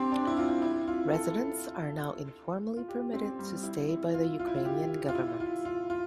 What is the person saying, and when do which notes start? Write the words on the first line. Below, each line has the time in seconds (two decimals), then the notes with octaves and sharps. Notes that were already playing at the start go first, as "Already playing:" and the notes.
Residents are now informally permitted to stay by the Ukrainian government.
Already playing: C4 D4 G4
0.12 D4
0.27 E4
0.37 F4
0.62 E4
0.88 F4
1.13 A4
2.77 F4
2.88 G4
3.13 C4
3.39 G3
3.63 E4
3.89 E4
4.14 F4
4.39 F4
4.47 E4
4.55 F4
4.65 G4
5.09 F4
5.15 E4
5.40 F4
5.65 F4
5.90 F4